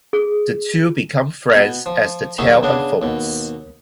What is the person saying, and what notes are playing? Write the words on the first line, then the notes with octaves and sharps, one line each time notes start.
The two become friends as the tale unfolds.
G#4
B2
F3
D#2 F#3 D#4 G#4 C#5 E5
C#3 B3 D4 G#4
D#2 B2